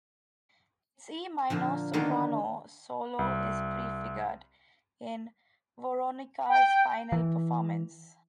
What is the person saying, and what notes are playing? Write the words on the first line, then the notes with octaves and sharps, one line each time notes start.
Its E minor soprano solo is prefigured in Weronika's final performance.
A#2 D3 F3
D3 D#3 A#3 B3
C2
G5
E3